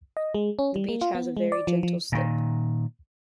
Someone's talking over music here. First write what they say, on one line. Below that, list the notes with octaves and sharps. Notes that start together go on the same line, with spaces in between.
The beach has a very gentle slope.
D#5
G#3
C#4
G3
A#3
F4
B3
G#3
D5
F3
F3
A#2 D#3